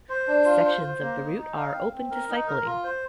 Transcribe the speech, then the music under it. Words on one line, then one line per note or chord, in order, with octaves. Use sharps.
Sections of the route are open to cycling.
C5
D4
F4
C5
C5
A#3
D#4
D#4
F5
C4
C4
A#4
D#4
A#4
F4
C5